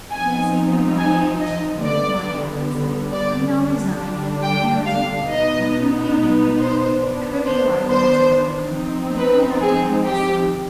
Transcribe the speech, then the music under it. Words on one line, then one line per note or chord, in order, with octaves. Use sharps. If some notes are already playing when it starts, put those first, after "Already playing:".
Yes! even at my age, and with my habits, I am now resigned to hearing, and confuting, the trivial arguments of a man who is young enough to be my son.
F3 C4 D#4 G#5
G#5
D#5
D3 G3 B3 D5
D5
D3 G3 D4
G5
F5
B2 B3 D#4 D#5
C5
D#3 B3 D4
C5
C5
F3 C4 D#4
B4
G#4
G4